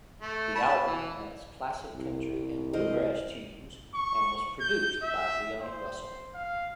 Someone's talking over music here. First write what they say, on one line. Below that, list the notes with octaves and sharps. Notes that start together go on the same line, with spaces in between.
The album has classic country and bluegrass tunes and was produced by Leon Russell.
A3
A5 B5
E3
C2
A#4 C5 D#5
C#6
G6
E5
C5
F5